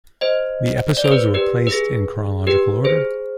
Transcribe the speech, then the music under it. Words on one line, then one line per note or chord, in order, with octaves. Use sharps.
The episodes were placed in chronological order.
C5 D#5
D5
C5
B4 D5
G4 B4
B4
G#4
G4 B4
G#4 C5